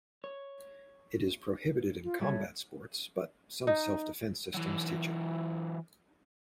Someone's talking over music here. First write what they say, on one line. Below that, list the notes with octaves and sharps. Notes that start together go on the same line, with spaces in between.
It is prohibited in combat sports, but some self-defense systems teach it.
C#5
F4
G3 A3 C#5
D#4
E3 F#3